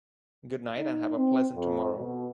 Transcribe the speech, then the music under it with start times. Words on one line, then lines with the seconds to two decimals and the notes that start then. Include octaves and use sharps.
Goodnight and have a pleasant tomorrow.
0.77 D#4
1.17 C4
1.56 F2
1.97 B2